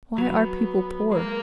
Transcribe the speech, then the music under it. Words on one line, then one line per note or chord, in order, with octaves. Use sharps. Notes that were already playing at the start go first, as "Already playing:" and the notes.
Why are people poor?
F#3 B3
G#3 A#3